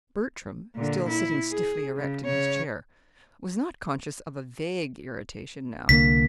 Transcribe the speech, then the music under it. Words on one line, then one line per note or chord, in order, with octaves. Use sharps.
Bertram, still sitting stiffly erect in his chair, was not conscious of a vague irritation now.
A#2 D3
E4
G#4
C#3
C#3 C#5
C2 D3 A#3 B6